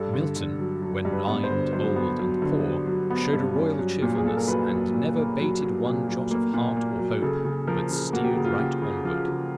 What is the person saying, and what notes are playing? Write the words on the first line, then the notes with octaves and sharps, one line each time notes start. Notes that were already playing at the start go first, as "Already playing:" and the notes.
Milton, when blind, old and poor, showed a royal cheerfulness and never "bated one jot of heart or hope, but steered right onward."
Already playing: G2 A4
D3
D3
F#3
F#3
G2
B4
B3
C5
D3
F#3 C5
B3
F#3
D3
F#3
F#3
B3
G2
C#4
F#3
A#2
G#4
A#2 A4
A#4
F#3 B4
F#3
A#2
A#3
F#3
F#3
A#2
F#3
A#3
A#2
A#3
F#3
C#3 A4
C#3
F3 A#4
C#3
A#3 F#4
G4
C#3 F#4
F4
F#4
C#3 G4
C#3
F3 F4
C#3